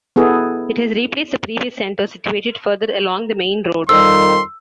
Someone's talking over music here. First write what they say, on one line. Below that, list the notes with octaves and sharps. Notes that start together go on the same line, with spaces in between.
It has replaced the previous centre situated further along the main road.
B3 E4 G#4 A4
F2 D#3 G3 C6 E6